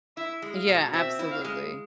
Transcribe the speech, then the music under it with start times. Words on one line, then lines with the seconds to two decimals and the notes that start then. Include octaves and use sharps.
Yeah, absolutely.
0.17 E4 E5
0.42 G#3
0.55 F5
0.69 B2
0.93 C4 E5
1.19 E4
1.31 F5
1.44 G#3